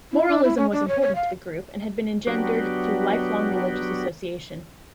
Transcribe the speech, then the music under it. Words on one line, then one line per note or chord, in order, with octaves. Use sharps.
Moralism was important to the group, and had been engendered through lifelong religious association.
E4
D4
E4
C#4
D4
C#5
C#5
F5
F#3 B3 D4 F#4 G4